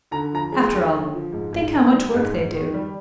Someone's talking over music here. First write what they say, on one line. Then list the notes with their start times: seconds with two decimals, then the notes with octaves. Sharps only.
After all, think how much work they do.
0.11 D3 A#5
0.32 F3 A#5
0.52 G#3
0.71 D#2
0.92 D3
1.13 F3
1.33 G#2
1.53 G#2
1.73 D#3
1.93 G3
2.14 G#2
2.34 G#2
2.55 D#3
2.74 G3